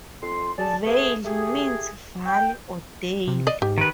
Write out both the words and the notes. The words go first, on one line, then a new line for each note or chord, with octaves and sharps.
"Vale" means valley or dale.
F2 C6
G#4 D5 A5
A3 B3 G#4
A3 G4 G#4
G5
C3
D5 D#5
G#2 G4
D#3 B4